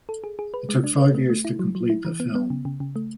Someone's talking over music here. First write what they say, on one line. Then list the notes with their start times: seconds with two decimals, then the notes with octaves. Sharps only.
It took five years to complete the film.
0.09 A4
0.24 G#4
0.39 G#4
0.54 B4
0.69 G#3
0.84 D4
0.99 B4
1.15 A3
1.30 A3
1.45 E4
1.59 F#3
1.75 F#3
1.90 E4
2.05 E3
2.20 B3
2.35 B3
2.50 C#3
2.65 C#3
2.80 C#3
2.96 A3